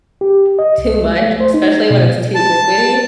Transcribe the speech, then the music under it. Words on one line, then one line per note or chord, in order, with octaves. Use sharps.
too much, especially when it's too liquidy.
G4
D#5
C2
A3
C5
D#4
B2
A5